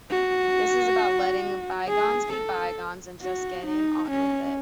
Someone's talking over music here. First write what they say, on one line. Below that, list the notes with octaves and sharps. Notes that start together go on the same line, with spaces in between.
This is about letting bygones be bygones and just getting on with it.
F#4
G#4
A4
F#4
D#4
C#4